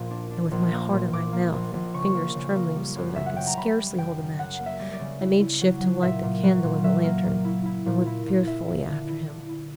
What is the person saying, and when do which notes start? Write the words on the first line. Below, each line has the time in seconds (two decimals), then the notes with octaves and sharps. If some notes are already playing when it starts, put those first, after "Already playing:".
And with my heart in my mouth and fingers trembling so that I could scarcely hold the match, I made shift to light the candle in the lantern, and went fearfully after him.
Already playing: A#1 A#2
0.10 D4
0.31 D4
0.51 A#1
0.72 A#3
0.93 A#2
1.12 A#2 D6
1.33 A#3
1.53 A#1
1.74 A#1
1.94 C#3 C#6
2.15 A#3
2.35 C#3
2.55 A#3
2.76 G3
2.96 F#2
3.16 C#3 E5
3.26 F#5
3.36 C#3 G5
3.47 A#5
3.57 C#3 B5
3.78 G3
3.98 F#2 G5
4.18 C#3
4.39 F#2 F#5
4.59 A#3
4.66 E5
4.80 G3
4.93 D5
5.00 C#3
5.21 E4
5.41 E4
5.61 F#3
5.81 F#3
6.02 A#2 E5
6.22 A#2
6.43 F#3
6.63 A#2
6.84 F#3 E5
7.04 A#3
7.24 A#2
7.45 E4
7.66 E4
7.86 A#2
8.06 E4
8.27 A#2
8.46 E4 E5
8.67 E4
8.88 D3
9.08 E4
9.29 D3
9.49 E4